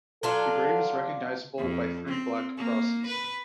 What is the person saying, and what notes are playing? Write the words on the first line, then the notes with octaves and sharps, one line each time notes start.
The grave is recognizable by three black crosses.
F#3 D4 F4 A4
F2
C4
A#3
B4